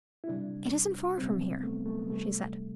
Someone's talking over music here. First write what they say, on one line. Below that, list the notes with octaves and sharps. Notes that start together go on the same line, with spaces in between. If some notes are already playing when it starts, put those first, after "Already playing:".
"It isn't far from here," she said.
E4
C3 G3 D4
C3 G3 C4
B3
A3
A3
B3
C3 G3 A3